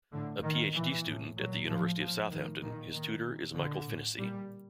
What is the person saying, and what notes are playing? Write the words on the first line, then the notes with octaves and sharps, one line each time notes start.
A Phd student at the University of Southampton, his tutor is Michael Finnissy.
A2 D3
A2 D#3
A#2 E3
A2
A#2 F#3
A2 F3
A#2 F3
A2 D#3
A#2 D#3
A#2 D#3
A#2
A#2 D3
A2
A#2 G3